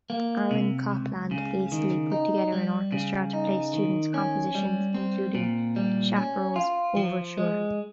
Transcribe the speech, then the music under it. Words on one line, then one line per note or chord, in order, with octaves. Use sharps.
Aaron Copland hastily put together an orchestra to play student compositions, including Shapero's Overture.
A#3
C3
C#2
C#3
D#3
D#4
G3
C#3
D#4
D#3
C#4
G3
C4
A#2
G3
C#4
F4
F3
G#3